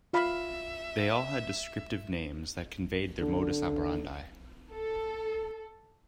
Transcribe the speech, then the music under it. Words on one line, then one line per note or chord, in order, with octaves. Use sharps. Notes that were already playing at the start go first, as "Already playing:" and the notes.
They all had descriptive names that conveyed their modus operandi.
F4 E5 F5 B5
D3
A4